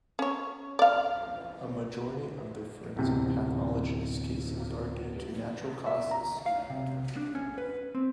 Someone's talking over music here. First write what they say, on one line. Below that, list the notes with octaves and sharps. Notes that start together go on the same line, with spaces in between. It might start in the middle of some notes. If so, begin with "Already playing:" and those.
A majority of the forensic pathologists cases are due to natural causes.
C#4 C#5
D5 F5
D1 E2 C3
E5
A#5
F5
C3
D4
C#4
B4
C4